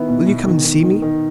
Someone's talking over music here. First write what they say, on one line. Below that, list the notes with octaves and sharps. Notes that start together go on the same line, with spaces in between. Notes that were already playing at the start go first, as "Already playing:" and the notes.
Will you come and see me?
Already playing: D#3 B3 E4
B2
B2
D#3
D#3
D#3
D#3